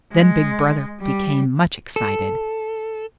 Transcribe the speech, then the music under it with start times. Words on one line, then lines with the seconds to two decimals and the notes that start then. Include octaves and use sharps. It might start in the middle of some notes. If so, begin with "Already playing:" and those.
Then Big Brother became much excited.
0.12 G#3
1.01 G3
1.96 A4